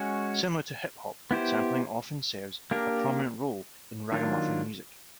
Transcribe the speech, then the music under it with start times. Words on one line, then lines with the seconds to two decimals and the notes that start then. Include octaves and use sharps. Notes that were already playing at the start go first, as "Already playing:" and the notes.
Similar to hip hop, sampling often serves a prominent role in raggamuffin music.
Already playing: G#3 C#4 F#4
1.31 B3 E4 G4 C5
2.71 A#3 D4 G4 A#4
4.12 D#3 F#3 A#3 D4 F4